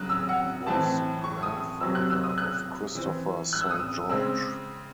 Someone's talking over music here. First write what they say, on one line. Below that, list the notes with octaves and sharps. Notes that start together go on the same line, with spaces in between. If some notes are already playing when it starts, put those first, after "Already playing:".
He was the grandfather of Christopher Saint George.
Already playing: C#3 F#3 F#6
E6
F#5
A2 E3 C4 A5
C#6
D#6
C3 F#3 C4 E6
F#6
E6
D#6
F#6
E3 C4
F#6
E6
D#6
E6
C#3 G#3 C4 E6